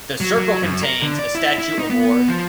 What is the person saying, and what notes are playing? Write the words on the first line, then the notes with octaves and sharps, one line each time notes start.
The circle contains a statue of Ward.
F#3
F#3
F#2
A#4
D3
D5
E4
E4
D#4
B3
F3